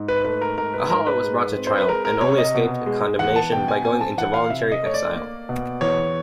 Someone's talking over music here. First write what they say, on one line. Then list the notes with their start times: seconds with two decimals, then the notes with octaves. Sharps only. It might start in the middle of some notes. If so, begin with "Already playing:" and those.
Ahala was brought to trial, and only escaped condemnation by going into voluntary exile.
Already playing: G#2
0.08 B4
0.25 A3 B4
0.41 A#4
0.58 G#2 A#4
0.74 B4
0.90 G#2 A#4
1.07 B4
1.23 G#3
1.56 C4
1.67 C5
1.78 B4
1.88 G#3 A#4
2.05 A#4
2.21 C3 C#5
2.38 D#5
2.54 B2
2.86 G#3
3.19 E2 F#5
3.36 A5
3.52 B2 G5
3.68 G#5
3.85 C4 G#5
4.01 A5
4.17 E3 F#5
4.34 F5
4.50 C3 E5
4.72 D#5
4.83 A3 C#5
4.94 D5
5.16 A#3
5.49 B2
5.81 E2 C#5